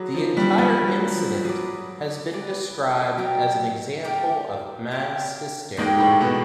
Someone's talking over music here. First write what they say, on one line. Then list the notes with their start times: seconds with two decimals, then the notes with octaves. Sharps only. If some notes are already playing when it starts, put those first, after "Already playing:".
The entire incident has been described as an example of mass hysteria.
Already playing: F#3 G#4 B4 D5
0.14 F3
0.37 G2 G3
0.58 G2 G3 G#4 B4 D5
0.88 F#3
1.16 F3
1.44 F#3 G#4 B4 D5
2.31 G#4 B4 D5
3.18 F#3 G4 A#4 D5 G5
4.05 G4 A#4 D5 G5
4.91 G4 A#4 D5 G5
5.77 G#2 G#3 G4 A#4 D5 G5
5.99 A2 A3
6.20 B2 B3